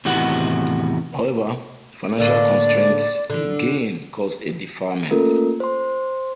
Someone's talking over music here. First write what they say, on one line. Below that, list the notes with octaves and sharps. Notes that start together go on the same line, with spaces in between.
However, financial constraints again caused a deferment.
E2 A2 C3 D#3 F#4 F#5
A2 D3 A#3 D5
D3
A3 A#3 C#4 F4 A4 A#4
C5 C6